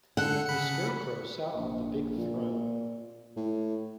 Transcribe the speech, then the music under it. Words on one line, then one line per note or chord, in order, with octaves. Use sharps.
The Scarecrow sat on the big throne.
D3 A4 F#5 C#7
C#3 B5 C#7
A#1
A#2
A2